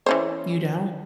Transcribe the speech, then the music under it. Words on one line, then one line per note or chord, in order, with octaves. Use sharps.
You don't?
E3 C#4 C5